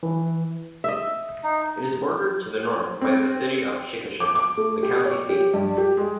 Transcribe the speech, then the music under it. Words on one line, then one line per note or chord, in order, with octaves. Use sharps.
It is bordered to the north by the city of Chickasha, the county seat.
E3
D#5 E5
D#4
C4
D6
D6
A3
G4
C#5
G4
G2
G4
G#3